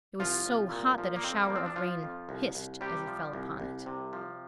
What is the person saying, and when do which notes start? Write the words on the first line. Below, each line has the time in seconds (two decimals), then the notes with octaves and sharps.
It was so hot that a shower of rain hissed as it fell upon it.
0.20 C2 F3 F4
0.46 C2
0.71 A#2
0.98 F3
1.16 A#3
1.24 F2 C4
1.45 F3 A#3
1.56 C4
1.66 D4
1.76 F3 F4
2.03 F2
2.29 C2
2.55 C2
2.81 C3 G3 G4
3.07 F3
3.33 C2
3.60 C2
3.86 C3
4.13 F3